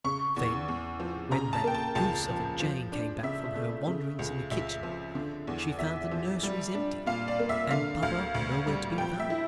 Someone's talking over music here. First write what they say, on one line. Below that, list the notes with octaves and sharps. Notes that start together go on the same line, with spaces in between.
Then, when that goose of a Jane came back from her wanderings in the kitchen, she found the nurseries empty, and Baba nowhere to be found.
C#3 C#6
E2
E2
F3
C#3 A#5
A5
A#3 G5
A5
C#2 A5
F3
F3
D4
C#3 E5
A3
C#3
C#2
C#2 E5
F3
D3
E2
E2 E5
F3
G3
D4
A#2 F5
D5
A#3
E5
D3 F5
D2 F5
D2
G3
F3 G5
E5
E4